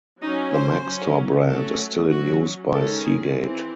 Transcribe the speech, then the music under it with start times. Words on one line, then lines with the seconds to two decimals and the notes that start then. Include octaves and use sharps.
The Maxtor brand is still in use by Seagate.
0.21 F#3 C#4 D#4
0.52 C5
0.84 F#3 C#4
1.47 F#3 A3 C#4 A4
2.10 F#3 C#4 F#4
2.73 D#3 G#3 C#4 A4
3.04 G#4
3.36 E3 C4